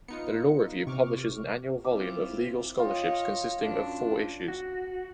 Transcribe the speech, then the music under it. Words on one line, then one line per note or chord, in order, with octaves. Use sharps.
The "Law Review" publishes an annual volume of legal scholarship consisting of four issues.
B3 D#4 F4 C#7
C3 C#6 D6 F6
C4 E4 F4 D6
F4 C#5 D#5 G5
F#2 D4
F#4